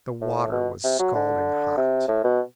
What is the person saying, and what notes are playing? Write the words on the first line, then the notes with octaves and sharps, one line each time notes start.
The water was scalding hot!
A2
B2
C3
F#3
D3
C3
A2
B2